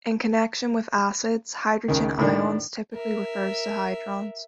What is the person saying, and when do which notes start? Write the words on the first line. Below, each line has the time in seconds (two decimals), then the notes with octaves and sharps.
In connection with acids, "hydrogen ions" typically refers to hydrons.
1.88 C#2 D#3
2.19 A2 D#3 D4
2.94 A#4 E5